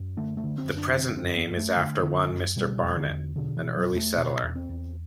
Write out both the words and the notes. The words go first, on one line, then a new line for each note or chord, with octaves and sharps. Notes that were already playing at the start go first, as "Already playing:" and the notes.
The present name is after one Mr. Barnet, an early settler.
Already playing: F#2
D3 A3
A3
D3
C4
F#2
D4
D3 C4
C4
F#2
B3
F#2
A3
D3
D3
F#2
B2 G3
E2
D3
E2
B2 D3
E3
B2
F#3
E2
A3
B2
E2
C4
E2